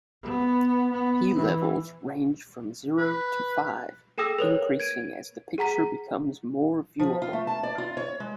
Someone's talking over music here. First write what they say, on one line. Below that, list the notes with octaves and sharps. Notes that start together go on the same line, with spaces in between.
P levels range from zero to five, increasing as the picture becomes more viewable.
B3
B3
E3
B4
G#4 A4 G5 D#6 E6 A#6
A#4 B4 C#5
G#6 D7 D#7
G#4 F#5 A#5 B6
F3
F4
A3
A5
D5
F4
C#5
G#3